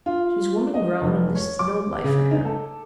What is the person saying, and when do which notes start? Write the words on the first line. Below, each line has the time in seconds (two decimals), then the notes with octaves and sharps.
She's woman grown and this is no life for her.
0.06 F4
0.74 D#5
1.02 F1
1.35 C#5
1.59 D6
2.04 C#3
2.31 D#4
2.45 A4